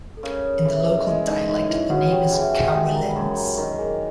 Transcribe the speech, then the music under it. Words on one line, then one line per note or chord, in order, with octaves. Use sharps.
In the local dialect the name is Kowelenz.
A4
C#3 A#4
E3 A4
B4
A#4
D#5
G#3 E4 E5
D#4 D#5
F#2 D#4 D#5
E4 E5
C#3 F#4 F#5
G4 G5
E3 G#4 G#5
G#4 G#5
F#5
G#3 G4 G5
A#4 A#5
B5
F#2 A#4 A#5
A#4 A#5
D#3 A#4 A#5
G#4 G#5